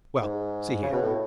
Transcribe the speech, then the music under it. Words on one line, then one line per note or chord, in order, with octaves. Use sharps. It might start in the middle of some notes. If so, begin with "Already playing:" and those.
Well, see here.
G#2
C#3
B2
A2